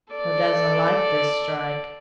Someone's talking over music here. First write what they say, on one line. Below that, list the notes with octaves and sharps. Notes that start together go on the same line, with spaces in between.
Hoo doesn't like this strike.
A4 D5